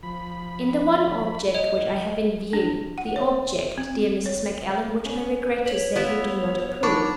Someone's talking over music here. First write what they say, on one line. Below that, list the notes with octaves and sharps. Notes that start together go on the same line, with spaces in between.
"In the one object which I have in view--the object, dear Mrs. Macallan, which I regret to say you do not approve."
F3 B5
D#5
D4
F#5
C#5
C4
C#5
C#4
B4 C#5
B3 E4 F4
D4 D#4 A#4 F#5 B5 C#6 D6